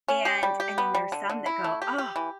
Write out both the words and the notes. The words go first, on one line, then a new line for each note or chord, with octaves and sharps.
and and then there's some that go, "Oh,
C#4
G4
G3
G4
B3
G3
D3
D3
E4
A3
G4
G4
E3